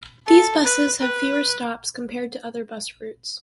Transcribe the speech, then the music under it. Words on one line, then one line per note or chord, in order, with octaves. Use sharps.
These buses have fewer stops compared to other bus routes.
A4
B4
B4